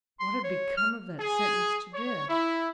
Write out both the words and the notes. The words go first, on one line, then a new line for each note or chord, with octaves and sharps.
What had become of that sentence to death?
C6
C#5
F6
G#4
C#5
E4